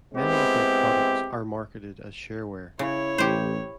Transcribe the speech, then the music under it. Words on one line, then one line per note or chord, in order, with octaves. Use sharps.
Many of their products are marketed as shareware.
G#3 B3 C4 E4 G4
C#3 E4 C#5
A1 G4 C5